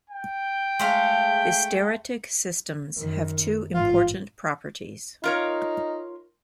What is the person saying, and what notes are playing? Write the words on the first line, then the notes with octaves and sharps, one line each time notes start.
Hysteretic systems have two important properties.
G5
G#3 A3 F5
F#2 D#3
A1 G#2 F4
D#4 F4 A#4 C#5